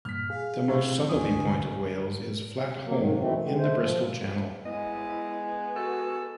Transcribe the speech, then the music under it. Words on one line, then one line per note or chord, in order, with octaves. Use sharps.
The most southerly point of Wales is Flat Holm in the Bristol Channel.
G2 A#2 F6 B6
G#4 F5
A2 C4
D#2 D4 G#5 D#6
C2 D3
F#3 A#3
G#2 D#3
B2 E3 A3 C4
D3 G#3
A3 C5
F3
G#3 B3 E4 D#5
F#4 A4